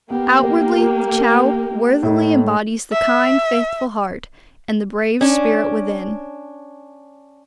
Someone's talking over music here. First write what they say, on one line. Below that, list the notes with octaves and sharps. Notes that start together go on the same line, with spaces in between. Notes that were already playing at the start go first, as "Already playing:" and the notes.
Outwardly, the Chow worthily embodies the kind, faithful heart and the brave spirit within.
A#3 B3 G4
A2 A3 D#4
E5
C#4 D4